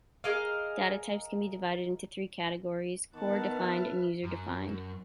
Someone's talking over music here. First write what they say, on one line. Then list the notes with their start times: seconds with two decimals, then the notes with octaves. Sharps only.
Data types can be divided into three categories: core, defined, and user-defined.
0.24 G#4 A#4 D#5 F5
3.14 D#3 B3 B4 E5 F#5 A5 F6
4.23 F#2